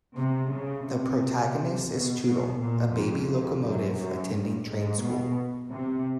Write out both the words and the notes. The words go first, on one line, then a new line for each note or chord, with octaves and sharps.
The protagonist is Tootle, a baby locomotive attending train school.
C3
C#3
C3
B2
B2
A#2
F2
F2
F#2
F#2
G2
G#2
B2
C3